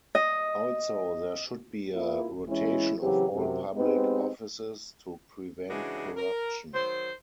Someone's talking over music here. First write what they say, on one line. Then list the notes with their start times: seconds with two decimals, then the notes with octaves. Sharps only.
Also, there should be a rotation of all public offices to prevent corruption.
0.15 D#5
1.94 A#3 E4 F4
2.48 E3 G#3 C#4 E4
3.02 C#3 E3 F#3 C4 G4
3.33 F#2 C3
3.76 G#3 B3 C4 D#4 G4 B4
5.68 C#3 E3 G#3 D4 F#4
6.16 A#4
6.73 D#3 F#3 C5